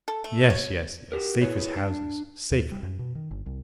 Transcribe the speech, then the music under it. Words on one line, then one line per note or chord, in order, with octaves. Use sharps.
"Yes, yes, yes; safe as houses--safer."
A4
A3
C#5
F#4 G4 A#4
E4 G#4 B4 C#5
D4
D#2
G3
F#2
B2
D#3
G1
C2